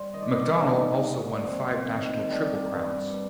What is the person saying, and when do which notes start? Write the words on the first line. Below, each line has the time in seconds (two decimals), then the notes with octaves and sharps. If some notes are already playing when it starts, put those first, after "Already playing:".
McDonnell also won five national triple crowns.
Already playing: G3 C5
0.14 D#3 D#5
0.22 D5
0.31 D#5
0.57 G3 A#3 D#4
1.00 D3
1.43 F3 C4
1.86 D#3
2.29 G3 D4
2.72 G2